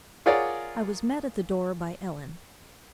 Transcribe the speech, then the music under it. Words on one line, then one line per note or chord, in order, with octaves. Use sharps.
I was met at the door by Ellen.
F4 G#4 A#4 C#5 D5 F#5